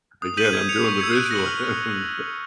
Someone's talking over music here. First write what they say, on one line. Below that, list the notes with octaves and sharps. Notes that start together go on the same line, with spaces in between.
again, I'm doing the visual, and
D#6
G6 B6 D#7 F#7
G#6
C#7 F7
C#6
E6 G#6 C#7
F#6
A#6 C#7 F#7
F6